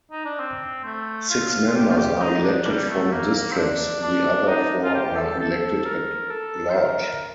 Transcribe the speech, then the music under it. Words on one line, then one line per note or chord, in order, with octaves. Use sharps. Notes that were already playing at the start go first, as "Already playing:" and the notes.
Six members are elected from districts the other four are elected at large.
D#4
D4
C4
A3
F4
F4
G4
F4
G4
D#4
D4
G3
A3
A#3
A#3
C4
D4
D4
D#4
F4
G4
A4
A4
A#4
A4
C5
A#4